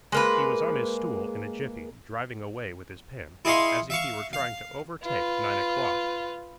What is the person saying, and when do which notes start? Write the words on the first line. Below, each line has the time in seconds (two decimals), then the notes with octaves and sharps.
He was on his stool in a jiffy, driving away with his pen, as if he were trying to overtake nine o'clock.
0.12 G#3 A#3 B4
3.45 E4 G#4 D#5 F5 C6 C#6
3.90 E5 F5 C#6
4.33 F5
5.03 F4 B4